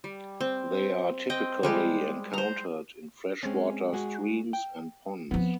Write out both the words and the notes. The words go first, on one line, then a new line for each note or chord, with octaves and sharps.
They are typically encountered in freshwater streams and ponds.
G3
C4
C4 D#5 G5
G3 G#3 G4 G#4
C5 A#5
G#3 C4 C#4
G#3 F#4 G#4
G5
F3 B3 C4